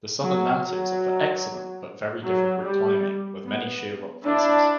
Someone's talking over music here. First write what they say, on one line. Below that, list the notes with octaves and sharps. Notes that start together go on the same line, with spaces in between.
The southern mountains offer excellent, but very difficult climbing with many sheer rock faces.
F#3
F#3
F#3
G3
B3
D4 E4